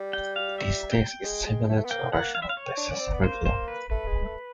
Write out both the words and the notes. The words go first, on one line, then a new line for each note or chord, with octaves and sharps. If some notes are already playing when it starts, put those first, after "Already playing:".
This test is similar to rational basis review.
Already playing: G3
G5
F5
E5
G5
G#3
G#3
A3
B3
A#3 G5
A#3 F#5
F5
E5
F5
C#5
D4
C#4 D5
C4
B3
A#3 C5
C5
B4
A3 B4
G#3
A3